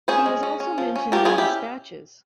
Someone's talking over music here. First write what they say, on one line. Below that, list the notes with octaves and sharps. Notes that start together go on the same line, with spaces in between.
He was also mentioned in dispatches.
C#4 G#4 C5
G#3
C#4
C#4
F3
C#4
F3 G4 A#4
F4 G#4
C#4
E4 G4